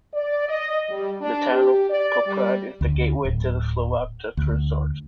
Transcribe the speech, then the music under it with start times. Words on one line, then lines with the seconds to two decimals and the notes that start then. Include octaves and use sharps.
The town of Poprad is the gateway to the Slovak Tatra resorts.
0.14 D5
0.48 D#5
0.89 G3
1.21 D4
1.52 G4
1.90 D5
2.26 G3
2.81 D2
3.25 D1
4.37 D2